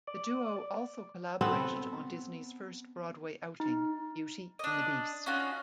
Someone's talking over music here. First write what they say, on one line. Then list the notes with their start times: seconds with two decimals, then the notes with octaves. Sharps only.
The duo also collaborated on Disney's first Broadway outing: "Beauty and the Beast".
0.07 D5
1.41 B3 C4 A4
3.60 D#4
4.59 D4 D#5
5.26 C#4 D#4 F4 F#4